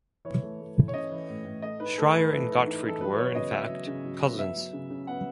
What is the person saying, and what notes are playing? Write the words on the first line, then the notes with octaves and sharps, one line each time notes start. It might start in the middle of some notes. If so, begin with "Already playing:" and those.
Shreyer and Gottfried were, in fact, cousins.
E3 C#5
A3
A3
E3
C#5
C#4 D#5
E3
A2
A2
A3 D#5
D#4 B4
A3 A4
A3 B4
E3 A4
E3
D#4
E3 A4
F#3 B4
B3 C#5
C#3 D#5
F#3 E5
F#3
C#3
F#3
B3
F#3 E5
F#3
C#3
C#3
B3 F#5